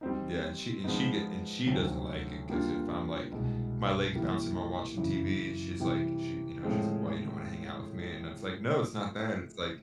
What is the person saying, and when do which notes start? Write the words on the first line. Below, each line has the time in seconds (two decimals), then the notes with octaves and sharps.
Yeah. And she and she get and she doesn't like it 'cause if I'm like my leg is bouncing while watching TV, she's like she, you know, she's like, "Why, you don't wanna hang out with me?" And I was like, "No, it's not that." It's like
0.01 G3 C4 D#4
0.84 F3 G#3 B3 D#4
1.67 D2 C3 D#3 F#3
2.50 G3 A#3 D4 F4
3.32 C2 B2 G#3
4.15 E3 G3 A#3
4.97 F#2 C#3 E3
5.80 C3 E3 G3
6.63 A2 F3 G#3 C4